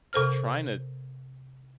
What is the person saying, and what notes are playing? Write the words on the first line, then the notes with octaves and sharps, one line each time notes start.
trying to
C3 A4 C5 F6